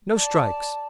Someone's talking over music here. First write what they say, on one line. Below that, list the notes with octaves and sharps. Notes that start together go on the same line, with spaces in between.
No strikes!
D5 A5